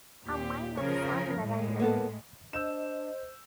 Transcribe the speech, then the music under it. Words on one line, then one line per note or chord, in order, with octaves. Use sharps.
Amine of San Marino.
D#2 A#2 G4
C#3 F3 A#4 C#5
A2 G#3
A#3 B3 A4
D4 C5 D#5 E6 G6 E7